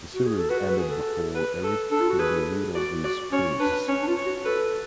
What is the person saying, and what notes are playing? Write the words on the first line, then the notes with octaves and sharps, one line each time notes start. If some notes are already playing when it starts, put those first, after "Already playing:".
The series ended before Eric could be rid of his curse.
F#4
G#4
A4
F#4 B4
B4
G#4
A4
B4
A4
D4 A4
F4
F#4
G#4 B4
F#4 D5
F#4 D5
C#4 C#5
D4 B4
C#4 C#5
D4
F4
C#5
F#4
A4 B4